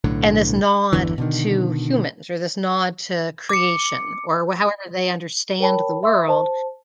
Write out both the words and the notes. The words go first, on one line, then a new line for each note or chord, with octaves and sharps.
and this nod to humans or this nod to creation or wa however they understand the world,
B1 A2 D3
G1 E2 D3 E3
B2 D3 D#3
D6 C#7
A#4 C#5 G5 A5 B5
E5 C6 E6
C5 A5